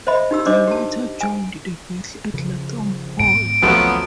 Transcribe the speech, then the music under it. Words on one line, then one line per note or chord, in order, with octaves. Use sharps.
They later joined the battle at Lathom Hall.
C5 D#5 E5 B5
D#4 G4 E6
D4 C5 D#5 D6
G4 A5
G#5
C#3 F3
G#2 B3 D7
A1 D2 F3 F#3 A3 B3 C4